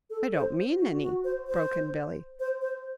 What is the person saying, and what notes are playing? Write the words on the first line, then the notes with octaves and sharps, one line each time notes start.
"I don't mean any," broke in Billy.
A4
C5
F#4
F#4
C5
C5
C5
C5